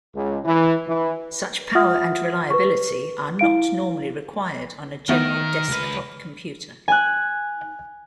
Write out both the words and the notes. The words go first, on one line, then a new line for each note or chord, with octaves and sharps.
Such power and reliability are not normally required on a general desktop computer.
C#2
E3
E3
F4 E5 F#5 D#6 F6
B4 C#6
E4 F5 D7
D#3 A3 B3 A#4
C#2 B4
G#5 F#6